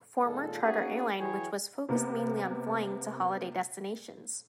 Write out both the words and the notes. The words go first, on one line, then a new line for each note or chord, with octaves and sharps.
Former charter airline which was focused mainly on flying to holiday destinations.
A#2 D#3 G#3 F4 A4
A#3 C#4 D#4 F#4 G#4
E3 F#3 E4 G#4 C#5 G5
C3 A#3 B3